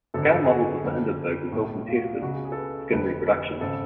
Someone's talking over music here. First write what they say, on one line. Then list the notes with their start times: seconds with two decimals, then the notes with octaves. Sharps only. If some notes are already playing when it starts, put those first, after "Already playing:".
Scale models of the "Hindenburg" were built and tested with skin reproductions.
0.14 G#1 F#2 D3 A4
0.23 B4
0.32 A4
0.44 G#4
0.49 F#4
0.84 F#1 F2 D3
1.52 B1 A2
1.88 F4
1.95 F#4
2.04 F4
2.14 D4
2.22 C#2 C#3 F#4
2.34 G#4
2.45 G#4
2.52 A4
2.57 B4
2.91 F1 F2 D3 B4
3.26 B4
3.61 G#1 C#3 A4